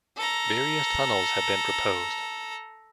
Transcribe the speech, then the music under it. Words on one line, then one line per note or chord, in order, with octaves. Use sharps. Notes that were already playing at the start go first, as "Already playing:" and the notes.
Various tunnels have been proposed.
A4 A#5